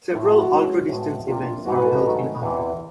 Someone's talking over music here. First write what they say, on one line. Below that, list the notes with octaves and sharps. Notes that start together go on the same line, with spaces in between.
Several ultra distance events are held in Africa.
A2 F3 A3 E4
F4
F#4
F#4
F3 G#3 C#4
A2 F3 G#3 B3
C3 F3 A#3 D4 F4
G#2 E3 G3 B3 F#4
B4
A4
D#5
G#2 D#3 F#3 A3 D4
E2 C3 E3